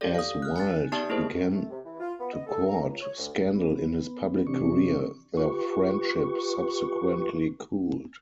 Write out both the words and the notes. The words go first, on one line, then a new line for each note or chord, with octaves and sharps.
As Wilde began to court scandal in his public career, their friendship subsequently cooled.
G4 A4 D5
F5 D#6
F6 F#6
G#5 F#6 A6
B3 D#4 G4 D5 A5 D#6
A#3 E4 G#4 A#4 C5
D#3
A3
C3
E3
F4
B3
D#5
A4
A#5
C#2
C#5
D2
B3
C3 E3 D4 C#6
F4 G4 B4 C#6